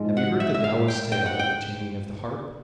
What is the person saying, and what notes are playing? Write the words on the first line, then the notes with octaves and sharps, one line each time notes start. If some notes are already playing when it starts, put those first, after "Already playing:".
Have you heard the Taoist tale of the Taming of the Harp?
Already playing: G#2 F3 G#3
F#5
E5
E5
F5
G5
G5
F#5
G5